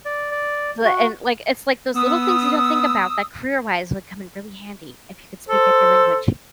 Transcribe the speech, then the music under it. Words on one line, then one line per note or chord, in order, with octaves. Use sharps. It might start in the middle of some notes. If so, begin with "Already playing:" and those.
But and, like, it's like those little things you don't think about that career-wise would come in really handy if you could speak every language.
D5
D5
F#4
B3 D#6 E6
A4 C5